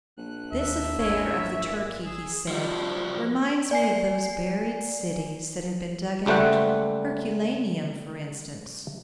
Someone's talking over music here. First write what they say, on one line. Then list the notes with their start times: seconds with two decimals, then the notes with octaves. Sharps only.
"This affair of the turkey," he said, "reminds me of those buried cities that have been dug out,--Herculaneum, for instance."
0.18 A#1 F#6
0.53 D#2 E5
0.99 G#1 C#4 E4 C#5
1.63 A#2 E3
2.05 G#4 E6
2.48 F3 G3
3.71 D5 G#5 C7
6.26 C#2 G3 A3 C5 F#5